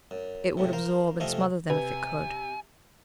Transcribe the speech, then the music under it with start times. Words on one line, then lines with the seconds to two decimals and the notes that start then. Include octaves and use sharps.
It would absorb and smother them if it could.
0.11 F#2
0.57 F2 A2 C3
0.73 A#4 C5 F5
1.20 F2 C3 A3 D#5 F5 G#5
1.70 C3 B4 G#5